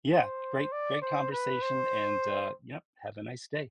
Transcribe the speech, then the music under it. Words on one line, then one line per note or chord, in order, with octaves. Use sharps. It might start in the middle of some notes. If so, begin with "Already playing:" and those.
Yeah. Great great conversation and, uh, yep, have a nice day.
C5
D5
C5
B4
C5